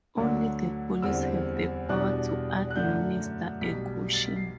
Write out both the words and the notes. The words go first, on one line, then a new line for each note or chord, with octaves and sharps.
Only the police have the power to administer a caution.
D2 D3 F#3
E2 D3 G3 C4 E6
E2 B2 G3 D4 F#6
F#6
F#2 D3 A3 G6
B1 B2 G3 B6
A6
B6
C7